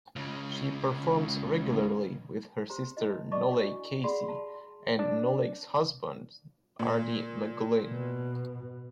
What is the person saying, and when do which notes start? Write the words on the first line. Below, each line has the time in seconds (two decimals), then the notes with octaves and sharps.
She performs regularly with her sister Nollaig Casey and Nollaig's husband Arty McGlynn.
0.16 C#2 C#3
2.70 G4 C5 A#5
2.97 D#4 E4 D#5
3.32 D5 D#5 A5 C#6 D6
3.50 D4 E4 F#4 G#5
4.04 G4 G#4 D5 F#5 B5 C6
4.28 A5 A#5
4.99 D4 D5
6.79 A#2
7.89 B2